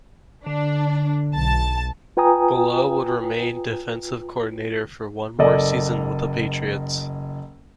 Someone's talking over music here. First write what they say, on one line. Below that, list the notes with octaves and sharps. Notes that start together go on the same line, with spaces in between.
Bullough would remain defensive coordinator for one more season with the Patriots.
D3 D4
B1 A5
F4 B4 G5 G#5 A#5 D#6
F#1 A4 D5 D#5